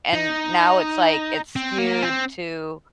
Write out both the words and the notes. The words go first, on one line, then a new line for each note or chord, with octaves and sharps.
and now it's like, it's skewed to
D#4
C4
A#3
C4